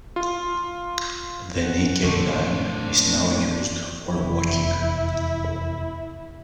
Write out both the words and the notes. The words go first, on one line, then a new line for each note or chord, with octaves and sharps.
The Nickey Line is now used for walking.
F4
C#4 F#5
A#2 D3 A3 A#3 D4 A4 C5 C#6
F1 E2 E4